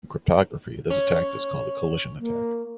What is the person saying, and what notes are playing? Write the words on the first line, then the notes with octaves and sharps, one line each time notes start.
In cryptography, this attack is called a collision attack.
C#4 C#5
A#3